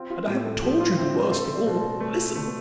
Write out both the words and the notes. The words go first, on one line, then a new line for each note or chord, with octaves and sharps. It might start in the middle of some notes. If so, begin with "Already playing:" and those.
And I haven't told you the worst of all. Listen!
Already playing: C4 F4
F4
A2 G4
A4
F3 G4
F4
F4
C4 E4
D4
A4 C5
D5
B2
C5
A3 B4
F4
A3 D4
B3